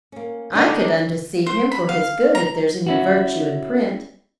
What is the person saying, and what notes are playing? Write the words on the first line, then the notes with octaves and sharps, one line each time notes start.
I could undeceive him for his good, if there's any virtue in print.
A#3 C#4
E2 D3 D4 D#4 D#5
C5
B5
F5
A#5
C#4 E4 F#4